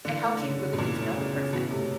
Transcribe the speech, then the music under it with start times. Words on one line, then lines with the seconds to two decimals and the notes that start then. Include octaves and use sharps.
it helps you really get to know the person.
0.05 D3 E3
0.24 A3
0.42 C#3
0.61 C#3
0.73 B2
0.78 A#2 E3
0.98 A3
1.16 C#3
1.34 C#3
1.53 B2 E3
1.71 C3 A3